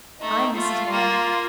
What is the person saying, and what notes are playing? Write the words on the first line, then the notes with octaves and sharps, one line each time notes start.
'I, Mrs. Mann.
A3 D#4
A3 F4
A#3